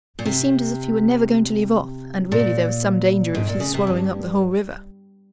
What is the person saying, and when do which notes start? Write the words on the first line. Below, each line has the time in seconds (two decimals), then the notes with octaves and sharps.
He seemed as if he were never going to leave off, and really there was some danger of his swallowing up the whole river.
0.19 A#2
0.25 C3
2.32 A#2
3.35 G#2
3.48 A#2
3.60 C#3
3.74 C3
3.87 G2